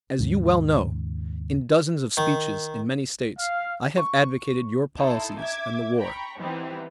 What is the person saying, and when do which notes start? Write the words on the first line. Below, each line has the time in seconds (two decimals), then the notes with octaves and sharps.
As you well know, in dozens of speeches in many states I have advocated your policies and the war.
0.19 D#2 G#2 C#3
2.17 D#3
3.39 F5
3.97 C#6
4.96 D#4 E4 A4 C6
5.39 E5 D6 G#6
5.97 G5 A#5 B5 C#6
6.38 E3 G3 B3 C4 D#4 E4